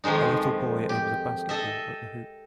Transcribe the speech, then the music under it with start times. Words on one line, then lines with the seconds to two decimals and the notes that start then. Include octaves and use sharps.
A little boy aims a basketball at the hoop.
0.04 F2 D#3 F3 G#3 D#4
0.89 G4
1.49 A4 D#5 E5